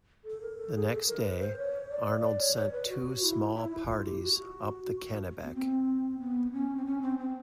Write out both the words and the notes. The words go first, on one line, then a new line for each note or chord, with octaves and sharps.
The next day, Arnold sent two small parties up the Kennebec.
A4
A#4
A4
G#4
A4
A#4
B4
C5
C#5
D5
D5
C#5
C#5
B4
F#4
F4
E4
E4
E4
F4
G4
F#4
B3
C4
B3
C#4
C4
C#4
C4
C4